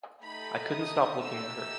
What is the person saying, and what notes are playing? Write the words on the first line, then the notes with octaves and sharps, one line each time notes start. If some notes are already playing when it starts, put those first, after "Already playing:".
I couldn’t stop looking at her.
A3 D#4 G4 B5
D#6
A3 D#4 G4 E6